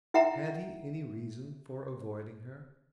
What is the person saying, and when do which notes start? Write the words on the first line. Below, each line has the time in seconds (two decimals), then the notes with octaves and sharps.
Had he any reason for avoiding her?
0.14 E4 E5 F#5 G5 A#5